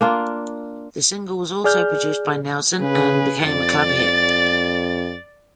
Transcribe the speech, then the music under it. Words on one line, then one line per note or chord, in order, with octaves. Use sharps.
The single was also produced by Nelson and became a club hit.
A#3 D4 F4
G#4 D5 F6 G6
C#3 G#4 B4
F2 D5 A6